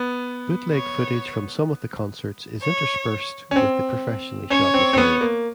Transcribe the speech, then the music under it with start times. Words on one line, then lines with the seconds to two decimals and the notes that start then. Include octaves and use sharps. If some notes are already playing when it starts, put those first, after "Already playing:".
Bootleg footage from some of the concerts is interspersed with the professionally shot material.
Already playing: B3
0.73 C#5
2.62 C#5
3.51 C#4
3.56 C4
4.50 C#4 C#5
4.74 C4
4.93 C4
4.98 B3
5.21 A#3